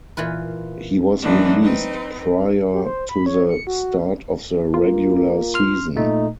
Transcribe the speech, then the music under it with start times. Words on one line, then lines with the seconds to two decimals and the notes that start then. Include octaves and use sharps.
He was released prior to the start of the regular season.
0.17 A#2 E3 F4 B4
1.22 E3 F#3 G#3 A#3 D4 D#4
1.62 C4 D#4 B4
2.73 G4
2.85 C5
3.09 B5
3.26 C#5
3.49 C#7
3.67 F#4
4.74 A#3 F4
5.54 C6 F6
5.96 A#2 A3 D#4